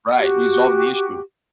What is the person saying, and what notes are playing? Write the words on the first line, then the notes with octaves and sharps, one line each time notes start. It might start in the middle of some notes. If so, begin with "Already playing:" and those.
Right, resolved the issue.
F#4 G4